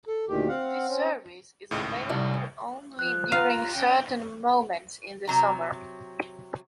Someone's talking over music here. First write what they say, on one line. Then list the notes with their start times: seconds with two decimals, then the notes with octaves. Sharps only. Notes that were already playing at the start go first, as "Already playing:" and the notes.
This service is available only during certain moments in the summer.
0.08 A4
0.29 D2 A#2 D#3 G4
0.48 C4 F5 F#5
0.88 C4 C#4
1.71 G#1 C#2 A2
2.10 C2
2.99 F3 F#6
3.32 F4 F5 A#5
3.75 C#4 G5
5.27 C3 F#3 A#5